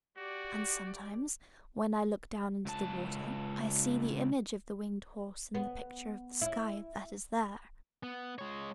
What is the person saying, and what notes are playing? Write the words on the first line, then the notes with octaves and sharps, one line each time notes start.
And sometimes, when I look down into the water, I see the image of the winged horse in the picture of the sky that is there.
F#4 G4 D5
C#2 A5
B3
E4
B3
G#3 C#5